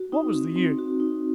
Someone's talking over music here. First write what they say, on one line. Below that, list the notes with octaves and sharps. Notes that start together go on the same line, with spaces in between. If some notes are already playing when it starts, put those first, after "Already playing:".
What was the use!
Already playing: F#4
D#4
C4
C4
F#4
D#4